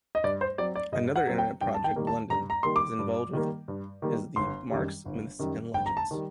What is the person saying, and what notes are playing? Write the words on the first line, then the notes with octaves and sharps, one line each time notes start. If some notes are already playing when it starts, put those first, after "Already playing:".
Another internet project Blunden is involved with is the "Marx Myths and Legends".
D#5
G2 D5
C5
F#3 C4 D5
D5
G2 D#5
F#5
F#3 C4
G5
G2 G5
A5
G5
D#3 G3 A#3
A5
G2 A#5
A#5
D#3 G3 A#3 C6
D6
G2
D#3 G3 A#3
G2
D#3 G3 A#3
G1 C6
F#2 D#3 G3
G1
F#2 D#3 G3
G1 G5
A#5
A5
D#3 G3